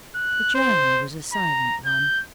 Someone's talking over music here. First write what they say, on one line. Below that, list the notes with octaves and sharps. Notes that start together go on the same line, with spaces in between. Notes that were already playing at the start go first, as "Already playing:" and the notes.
The journey was a silent one.
F#6
C5
A#5
G6